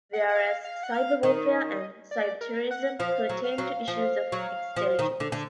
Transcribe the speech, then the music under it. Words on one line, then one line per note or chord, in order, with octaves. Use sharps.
Whereas cyber-warfare and cyber-terrorism, pertain to issues of extelligence.
F#5
F#5
F5
F5
F#5
F5
D#3 D#5
D5
A#4
F#5
F3 F5
F#3
F5
F#3
F3
F#3
F3
D#3
D3
D3